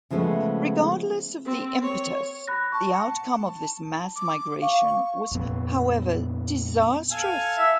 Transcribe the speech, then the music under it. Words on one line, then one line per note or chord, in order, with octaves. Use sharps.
Regardless of the impetus, the outcome of this mass migration was, however, disastrous.
C#3 F3 G#3 A3 B3
C4
C#5
B5 F#6 A#6
A5 C#6
F#5
A5
D6
F5 C#6
F2 A#2 B3
A4 F5 G#5
E5